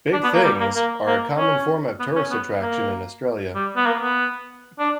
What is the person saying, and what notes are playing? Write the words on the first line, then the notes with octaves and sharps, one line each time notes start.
Big Things are a common form of tourist attraction in Australia.
D4
B3
A#3
G3
A#3
A#3
A#3
C#4
B3
C#4
B3
A#3
G3
B3
A#3
B3
D4